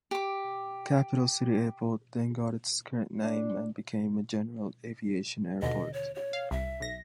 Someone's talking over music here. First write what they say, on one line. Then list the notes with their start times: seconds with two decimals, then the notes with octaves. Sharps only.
Capital City Airport then got its current name and became a general aviation airport.
0.11 G4 D6
3.22 D4
5.62 D#2 B2 D3 D#5
5.93 C#5
6.15 C#5
6.33 F5
6.51 C2 E5
6.80 B1 A#6